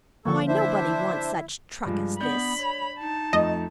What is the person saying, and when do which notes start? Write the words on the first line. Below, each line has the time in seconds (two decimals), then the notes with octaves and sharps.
Why, nobody wants such truck as this.
0.25 D3 F3 A#3 A4 C#6
0.48 D4 E4 C5 E5
1.85 G2 F3 G#3
2.21 B3 D4 B5 G6
2.59 C#5
3.00 D#4 A5
3.33 F2 A3 D#5